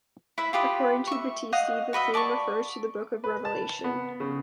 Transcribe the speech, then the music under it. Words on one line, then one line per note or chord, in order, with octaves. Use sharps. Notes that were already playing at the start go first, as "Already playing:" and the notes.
According to Battisti, the theme refers to the "Book of Revelation".
E4 B4 E5
F4 G4 B4 D#6
E5 C#6
D#5 F5 F#5 D#6
F#4 B4 D#5 E5
D5 A5 A#5 C#6
B4
A5
B3
C#3